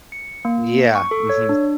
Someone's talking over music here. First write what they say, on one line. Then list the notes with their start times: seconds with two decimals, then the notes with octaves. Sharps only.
Yeah. Mhm.
0.12 C#7
0.45 A#3
0.95 C#6
1.11 A4
1.30 C#5
1.49 D4